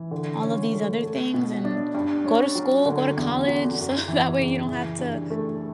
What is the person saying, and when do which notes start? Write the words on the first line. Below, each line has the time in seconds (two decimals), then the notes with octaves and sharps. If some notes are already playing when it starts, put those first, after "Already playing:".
all of these other things, and go to school, go to college, so that way you don't have to
Already playing: E3
0.11 D3
0.42 C#4
0.73 A3
1.03 A3
1.34 B2
1.65 D4
1.95 G2
2.26 C#4
2.55 F#3
2.85 D3
3.17 E2
3.48 F#3
3.77 F#2
4.08 E3
4.39 C#3
4.68 E3
4.99 G2
5.30 A3